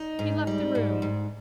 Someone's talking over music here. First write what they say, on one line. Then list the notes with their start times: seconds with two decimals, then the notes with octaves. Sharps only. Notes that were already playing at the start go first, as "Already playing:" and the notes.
He left the room.
Already playing: D#4
0.19 G#2
0.47 G3
0.75 G#2
1.02 G#2